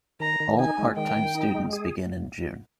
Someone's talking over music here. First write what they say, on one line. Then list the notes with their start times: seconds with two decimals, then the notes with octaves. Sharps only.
All part-time students begin in June.
0.20 D#3 A#5
0.40 D#3
0.59 D#4 G#5
0.78 G#3
0.97 D#3 G5
1.16 D#3
1.35 D#4
1.55 G#3
1.73 G#4